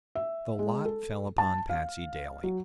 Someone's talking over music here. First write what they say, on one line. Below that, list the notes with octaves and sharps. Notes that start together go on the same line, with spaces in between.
The lot fell upon Patsey Daly.
E5
G#3
A4
A5
F5
F#3